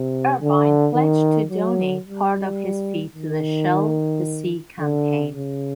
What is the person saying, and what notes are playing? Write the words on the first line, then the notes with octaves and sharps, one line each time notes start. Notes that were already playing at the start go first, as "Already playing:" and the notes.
Irvine pledged to donate part of his fee to the Shell to Sea campaign.
Already playing: C3
D3
D#3
F#3
G3
D#3
D3
C#3